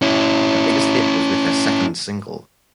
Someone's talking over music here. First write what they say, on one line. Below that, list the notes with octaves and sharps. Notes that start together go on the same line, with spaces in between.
Their biggest hit was with their second single.
C#4 E4